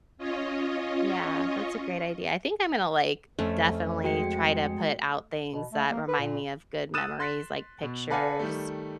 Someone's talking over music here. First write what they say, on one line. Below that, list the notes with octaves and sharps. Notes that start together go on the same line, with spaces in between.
Yeah. That's a great idea. I think I'm gonna, like, definitely, try to put out things that remind me of good memories, like pictures
C#4 F4 C#5 D#5
F2 A3 C#4
G#3 F#4 G5 C#7
B2
A3
A#3
B4
A#2
D#6 E6 F#6 A6 D#7 E7
C6 F#6 A6 B6
B2
A4 B4 D5 F5 F#5 G#5
D#3 G3 A3